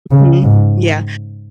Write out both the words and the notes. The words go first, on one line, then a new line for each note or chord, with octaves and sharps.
Mhm, yeah.
C#3
G#2